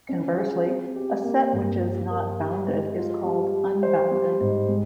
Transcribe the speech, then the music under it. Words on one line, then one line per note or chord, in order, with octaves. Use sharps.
Conversely, a set which is not bounded is called unbounded.
C#4
G#4
C4
G4
A#3
G2
G4
A#4
G4
G#3
F4
G3
G4
C5
G3
G#2
G#3